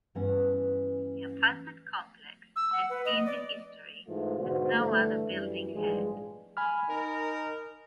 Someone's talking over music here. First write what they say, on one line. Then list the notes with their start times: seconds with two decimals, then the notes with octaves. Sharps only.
The apartment complex had seen the history as no other building had.
0.15 G2 E3 B3 C#4 F#5
2.56 E6
2.73 F#5
2.90 B4
3.05 D#5
3.26 D5
4.07 G#2 E3 A3 F4
4.38 G#2 B2 D3 F#4 C5
4.78 G2 D3 E3 A3
5.29 F#2 E3 G3
5.74 A#1 G#2 E3 F3 G3 G#3
6.57 G#5 B5 F6
6.89 D#4 A#4